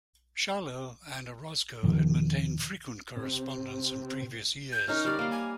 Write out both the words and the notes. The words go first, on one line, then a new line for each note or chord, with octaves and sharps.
Charlot and Orozco had maintained frequent correspondence in previous years.
E2 B2 D#3 F3
C3
G6
C#4 D#4 A#4 F6
G3 D5 F6
A#3 F5
G#5